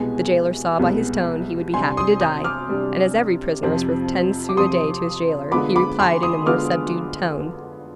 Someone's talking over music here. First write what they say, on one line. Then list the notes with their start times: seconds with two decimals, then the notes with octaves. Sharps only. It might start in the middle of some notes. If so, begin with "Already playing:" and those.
The jailer saw by his tone he would be happy to die; and as every prisoner is worth ten sous a day to his jailer, he replied in a more subdued tone.
Already playing: C2 B2 G#3 B3 G#5
0.79 C2 B2 G#3 B3
1.74 C3 G3 D4 G#5 C6
1.97 C6 D#6
2.21 D#6 G6
2.44 D6 F6
2.68 C3 G3 D4
3.63 F2 C3 F3 C4
4.49 D6
4.57 F2 C3 F3 C4 C6 D#6
5.52 D3 G#3 B3 F4 B5 D6
5.76 B5 D6
5.99 G#5 C6
6.23 C6 D#6
6.46 D3 G#3 B3 F4 D6 F6